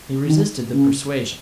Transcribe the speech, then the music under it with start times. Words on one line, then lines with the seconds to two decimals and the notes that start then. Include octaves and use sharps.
He resisted the persuasion.
0.27 D#3
0.74 C#3